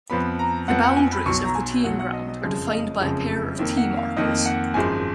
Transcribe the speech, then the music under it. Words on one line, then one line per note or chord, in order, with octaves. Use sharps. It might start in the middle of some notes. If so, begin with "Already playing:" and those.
The boundaries of the teeing ground are defined by a pair of tee markers.
F2 F3 B3 B5
A#5
F2 F3 B3 F#5
F#5
G#5
B5
B1 B2 F#3 C#6
A#5
G#5
B1 B2 F#3 F#5
F#5
D#5
D#5
F#1 F2 C#3 F3 G#3
F5
D#5
F#1 F2 C#3 F3 G#3
F2 D#3 A#3
F#5
F5
F2 D#3 A#3 D#5
F#5
G#1 F#2 F3 G#3 G#5